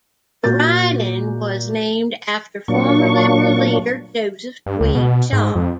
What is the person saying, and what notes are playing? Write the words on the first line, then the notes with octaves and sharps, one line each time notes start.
The riding was named after former Liberal leader Joseph Tweed Shaw.
A#2 F#4 G6 A6
A#2 F#3 A#3 D4 C#6
G2
C#2
B2
G#2
F2